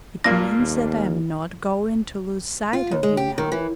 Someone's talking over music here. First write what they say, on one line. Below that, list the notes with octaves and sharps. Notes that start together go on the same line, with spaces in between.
"It means that I am not going to lose sight of you now."
G2 A#2 A#3 A#6
D#2
F4
D#2
G#3
G4
D#3
E3